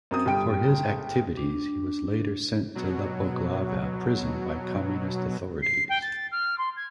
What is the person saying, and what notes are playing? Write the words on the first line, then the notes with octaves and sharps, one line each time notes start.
For his activities he was later sent to Lepoglava prison by Communist authorities.
F#2 C4 D#6
G1 G3 G5 D7
D4
B2 F#3
C7
G5
A6
F6
C6
G#6